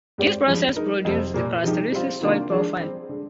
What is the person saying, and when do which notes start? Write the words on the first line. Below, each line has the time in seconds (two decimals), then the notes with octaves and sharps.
These processes produce the characteristic soil profile.
0.18 G#2 G3 C4 G4 D5
0.47 G2 F3 G#3
0.76 G#3 D#4 A#4
1.05 F2 C3 G3 C4
1.34 A#2 G3 A#3
1.63 C3 F3 G#3 D#4 G4
1.92 G3 C4 F4
2.21 C3 D#3 A#3 D4 F4
2.50 F3 G#3 D4 G#4
2.80 G3 C4 G4
3.09 D3 G#3